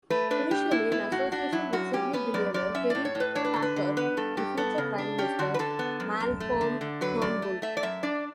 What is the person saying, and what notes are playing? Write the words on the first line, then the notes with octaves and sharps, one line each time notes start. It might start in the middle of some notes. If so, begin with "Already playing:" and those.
Initially in association with Sydney billionaire Kerry Packer and future Prime Minister Malcolm Turnbull.
A3 B4
D4 B4
A2 G4
A2 E4
B3 E4
A2 F#4
D4 F#4
F#3 E4
F#2 F#4
C#4 G4
B3 B4
F#2 D5
F#2 D5
C#4 E5
A2 D5
C#5
A2
B4
D4 C#5
B4
D3 A4
B4
D3
B3 B4
G2 A4
G2 G4
B3 A4
C#3
D4
C#4 G4
D3 F#4
B4
D3 A4
B3
F#2
F#2
A3
D3
D3
F#3 B4
F#2 D5
A3
A3 E5
D5
F#2 E5
D4 D5